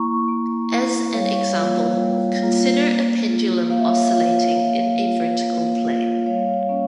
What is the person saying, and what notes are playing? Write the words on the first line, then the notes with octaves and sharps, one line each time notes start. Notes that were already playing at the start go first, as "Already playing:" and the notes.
As an example, consider a pendulum oscillating in a vertical plane.
Already playing: A#3 E4 A#5 C#6
A#3
E4
G3 C#5 F5
A#3 F4
G3
A#3 F4
A#3
F4
A#3 F5
E5
C#5 F5
F4
A#3
F4
A#3
F4
G3 C#5 F5
A#3 C#4